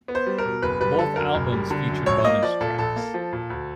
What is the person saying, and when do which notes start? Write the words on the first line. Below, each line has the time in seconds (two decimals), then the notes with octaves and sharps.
Both albums featured bonus tracks.
0.08 B3
0.15 C5
0.26 G3
0.38 A#4
0.45 B2
0.62 F#1 B4
0.80 G3 B4
0.98 D3 A4
1.16 F#2 A#4
1.35 F#1
1.53 G3
1.71 D3
1.89 F#2
2.06 A#1 C#5
2.24 A#3 D#5
2.42 F3 D5
2.61 A#2 A4
2.78 A#1 A4
2.96 A#3
3.14 F3
3.33 A#2
3.50 D2